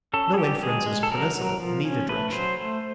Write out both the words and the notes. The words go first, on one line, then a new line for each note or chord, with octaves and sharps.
No inference is permissible in either direction.
C#4 A4
G#4
F#3 G4
G#3 G#4
G#3
A4
F#3 A#4
F#3
F3
C#4
A3 B4
F#3 C5
A3